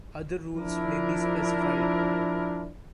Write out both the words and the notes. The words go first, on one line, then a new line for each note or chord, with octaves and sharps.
Other rules may be specified.
F3 D4 E4 A#4